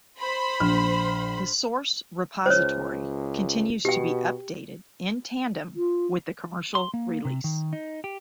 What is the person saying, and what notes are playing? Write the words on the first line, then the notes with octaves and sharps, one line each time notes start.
The source repository continues to be updated in tandem with the commercial release.
C5 B5 C6
A#1 F6
C#2 C5 C#5
B2 G4 G5
F4
C6
A#3
C3
D#3
D#4
G4